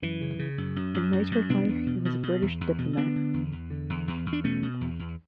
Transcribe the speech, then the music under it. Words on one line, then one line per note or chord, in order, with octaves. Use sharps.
In later life he was a British diplomat.
F#2 E3
C#3
C#3
F#2
F#2
F#2
F#2
F#2
B2 B3 D4
E2
B2
B2
B2
E2
E2
B2
D3 B3 D4
D3
E2
E2
D3
E2
E2
E2
D4
B2 A3 C#4
B2
E2
E2